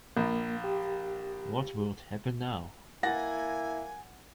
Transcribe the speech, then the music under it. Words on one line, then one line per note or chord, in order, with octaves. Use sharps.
What would happen now?
A#1 A#3
G4
A#3 E4 F#5 G#5 A6 A#6